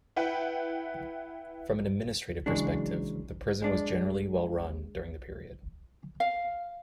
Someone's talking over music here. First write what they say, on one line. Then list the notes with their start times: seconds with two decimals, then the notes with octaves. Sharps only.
From an administrative perspective, the prison was generally well run during the period.
0.16 E4 B4 F#5 G5
2.46 C#3 E3 F#3 G#3 D4
3.62 G#3 D4 D5
6.20 F5